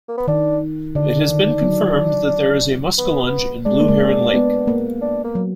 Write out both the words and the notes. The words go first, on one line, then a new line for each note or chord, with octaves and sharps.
It has been confirmed that there is a muskellunge in Blue Heron Lake.
A#3
B3
D#3 D4
D3 D4
D#3
F#3
B3
G#3 D4
A#3
G#3
B3
A#3
D4
A#3
F#3